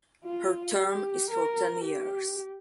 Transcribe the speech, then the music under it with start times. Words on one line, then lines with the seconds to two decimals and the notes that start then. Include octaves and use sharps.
Her term is for ten years.
0.25 F4
0.78 G4
1.31 A#4
1.85 G4